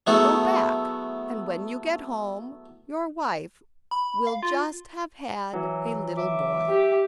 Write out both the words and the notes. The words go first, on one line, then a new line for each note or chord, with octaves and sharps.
Go back, and when you get home your wife will just have had a little boy.
F#3 A3 B3 E4 G#4 A4
B5
F5
F4
E3 F#3
E5 D6
G4